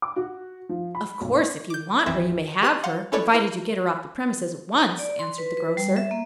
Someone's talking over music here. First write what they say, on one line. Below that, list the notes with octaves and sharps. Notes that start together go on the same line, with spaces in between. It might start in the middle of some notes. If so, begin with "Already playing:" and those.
"Of course if you want her you may have her, provided you get her off the premises at once," answered the grocer.
D6
F#4
F3
B5
B1
D6 G6
A1 F2 E3 C4 E5
G4 B4 C6 D#6 F#6
F5 F#5 C6
C#4 E4 A4 B4 C#5 D5
E4 A#4 B4
D5
C6
B4
B4
G3
E5
A#3